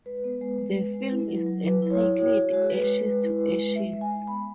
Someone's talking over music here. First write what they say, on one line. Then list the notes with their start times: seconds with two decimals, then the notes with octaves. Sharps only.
The film is entitled Ashes to Ashes.
0.06 G#3 B4
0.24 B3
0.41 G#3
0.58 G#3
0.77 G#3
0.93 G#3
1.11 E4
1.29 F#3
1.46 F#3
1.64 F#3 B4
1.82 E4
1.90 C#5
1.99 E4
2.17 F#4 C#5
2.35 F#4
2.52 G#3 F#4
2.62 G#4
2.70 G#3 B4
2.87 G#3
3.05 G#3
3.22 E4 B4
3.40 G#3
3.58 G#3
3.75 G#3 E5
3.94 G#3
4.01 G#5
4.10 G#3
4.27 B3 B5